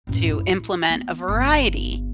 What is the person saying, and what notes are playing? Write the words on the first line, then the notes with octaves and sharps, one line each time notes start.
to implement a variety
A1 F#2
E4
B3
G1 B3